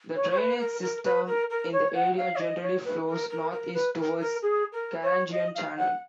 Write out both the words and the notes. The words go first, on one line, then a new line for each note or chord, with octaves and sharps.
The drainage system in the area generally flows north-east towards Carangian Channel.
C#5
C#5
B4
A#4
A#4
B4
A#4
A#4
C#5
F#5
F5
C#5
D#5
C#5
B4
A#4
A#4
A#4
B4
A#4
A#4
G#4
A#4
C#5
D#5
F5
F#5